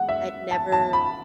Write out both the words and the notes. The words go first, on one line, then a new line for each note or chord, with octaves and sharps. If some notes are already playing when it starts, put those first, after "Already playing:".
I'd never
Already playing: G#3 F#5
E5
A5
A5
B5